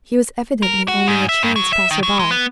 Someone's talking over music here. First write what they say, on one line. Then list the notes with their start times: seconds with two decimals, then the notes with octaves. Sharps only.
He was evidently only a chance passer-by.
0.63 A#4
0.88 F#4
1.08 G#2
1.29 E5
1.43 G2
1.56 F#3
1.73 E5
1.91 D#3
2.03 F#3
2.19 G#3
2.31 B3